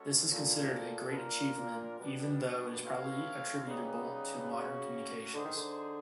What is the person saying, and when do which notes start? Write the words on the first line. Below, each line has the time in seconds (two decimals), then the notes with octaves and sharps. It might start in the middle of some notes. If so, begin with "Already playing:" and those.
This is considered a great achievement even though it is probably attributable to modern communications.
Already playing: G#3 C#4 F#4 A4 C#5
0.32 A#2 C4 F4 A4
1.11 B2
1.15 A#2 D4 F4 A#4
1.58 A#2
1.99 B2 G3 B3 D4
2.83 C4 E4 A4 C#5 F5
3.66 C#3 G3 B3 D#4 G#4 B4
4.51 A#3 C#4 F#4
5.34 D3 D#4 G#4 C5
5.45 D#3
5.57 D3